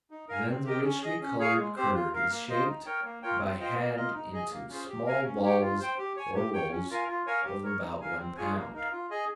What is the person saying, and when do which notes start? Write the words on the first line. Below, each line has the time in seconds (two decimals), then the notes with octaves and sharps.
Then the richly colored curd is shaped by hand into small balls or rolls of about one pound.
0.11 D#4
0.28 A#4 F5 G#5
0.47 C4
0.65 G4 A#4 D#5 G5
0.84 C#4
1.02 G#4 D#5
1.21 C#4
1.39 G#4 C#5 F5 G#5
1.58 G#3
1.76 C4 G4 C5
1.94 F4
2.13 A#4 F5
2.30 A#3
2.49 F4 C5 D#5
2.67 D#4
2.86 A#4 C#5 G5
3.05 A#3
3.22 F4 A#4 C#5 G5
3.41 C4
3.59 F4 C5 D#5 G5
3.78 A#3
3.96 F4 A#4 D#5
4.14 D#4
4.33 G#4 D#5 G#5
4.52 A#3
4.69 C#4 F4 G#4 C5
4.88 G4
5.06 A#4 F5 G#5
5.24 C#4
5.43 G4 C#5 G5
5.61 F4
5.80 C5 G5
5.98 G4
6.16 C#5 G#5
6.35 G4
6.53 C#5 G5
6.72 C#4
6.90 F4 A#4 F5 G#5
7.08 F4
7.27 A#4 C#5 F5 G#5
7.45 G4
7.63 A#4 C#5
7.82 D#4
8.00 A#4 F5 G#5
8.18 C4
8.37 F4 G#4 C#5 G#5
8.55 A#3
8.74 D#4 A#4 F5
8.92 F4
9.10 G#4 D#5 G#5